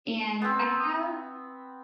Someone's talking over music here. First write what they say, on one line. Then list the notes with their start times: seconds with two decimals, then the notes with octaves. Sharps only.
and I have
0.42 B3 C4